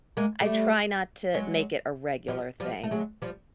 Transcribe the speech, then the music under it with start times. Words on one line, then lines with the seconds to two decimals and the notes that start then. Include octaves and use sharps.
I try not to make it a regular thing.
0.17 G#3 A#3
0.41 G3 A3
1.34 F#3 G#3
2.28 F3 G3
2.60 F3 G3
2.84 A3
2.91 F#3 G#3
3.22 F3 G3